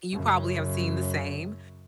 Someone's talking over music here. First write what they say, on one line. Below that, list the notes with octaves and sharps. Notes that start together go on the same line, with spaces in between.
you probably have seen the same.
F#2 C#3